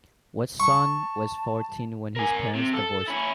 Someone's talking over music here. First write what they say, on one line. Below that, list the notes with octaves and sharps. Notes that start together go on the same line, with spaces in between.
Watson was fourteen when his parents divorced.
A5 C#6
A#4 G#5
C3
A4
C#4 E4